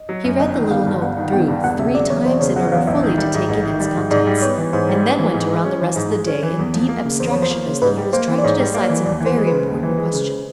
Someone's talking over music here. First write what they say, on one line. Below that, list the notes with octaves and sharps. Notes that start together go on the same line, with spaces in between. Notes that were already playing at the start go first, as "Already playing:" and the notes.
He read the little note through three times in order fully to take in its contents, and then went around the rest of the day in deep abstraction as though he was trying to decide some very important question.
Already playing: D#5
F#3
F#2
G1 D#5
D#3
G1 F5
G2
G1 F#5
D#3
G1 G5
G2
E1 F#5
C#3 E5
F#3 D5
E2 C#5
E1 C5
C#3 C#5
F#3 F#5
E2 F5
A1 E5
D#3
G3
G#2
A1
D#3
G3
G#2
G#2 D5
G3
B3 C#5
E3
G#2 C5
G3
B3
E3
G#2
G#3
C#4
E3
G#2
G#3
C#4
E3
E2
F3
A#3
C#3
E2 C5
F3 C#5
C5
A#3
C#3
G#2 B4
G3
A#3 C5
E3
D5
G#2 C#5
G3
A#3
E3
D#2 D5
E3
C5
G#3
B4
C#3
D#2
E3
G#3
C#3